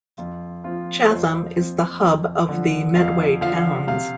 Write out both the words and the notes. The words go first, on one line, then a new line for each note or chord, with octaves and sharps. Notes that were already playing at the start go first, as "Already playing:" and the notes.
Chatham is the hub of the Medway Towns.
F2 F4
F3 C4 F4
F2 C5
F3 C4
F2
D3 F3
F2 F5
D3 F3 F5
C3 F5